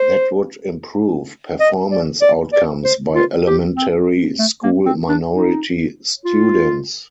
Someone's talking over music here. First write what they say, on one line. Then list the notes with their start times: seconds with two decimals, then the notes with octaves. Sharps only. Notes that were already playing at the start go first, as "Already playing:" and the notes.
That would improve performance outcomes by elementary school minority students.
Already playing: C5
1.60 D#5
1.91 D5
2.21 D5
2.53 D5
2.84 C5
3.15 F4
3.47 G4
3.76 C4
4.39 A3
4.63 A#3
4.85 C4
5.09 D4
5.33 D#4
6.25 F4